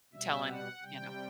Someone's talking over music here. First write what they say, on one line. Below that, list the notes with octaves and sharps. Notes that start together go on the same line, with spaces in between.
telling you know,
B2 G3 E5
F#5
C3 G3 G5